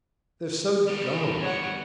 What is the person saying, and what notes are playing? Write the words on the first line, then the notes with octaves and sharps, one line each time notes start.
"They're so dull."
G3 B3
C#5 F#5